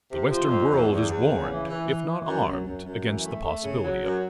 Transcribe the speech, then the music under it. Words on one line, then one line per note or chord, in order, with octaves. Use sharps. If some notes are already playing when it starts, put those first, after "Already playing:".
The Western world is warned, if not armed, against the possibility of it.
C3
F3
F2
E2
E2
E2
C#3
E3
E3
E3
E3
F#2
F#2
F#2
F#2
E3
A3
A3
C#3
F#3
F#2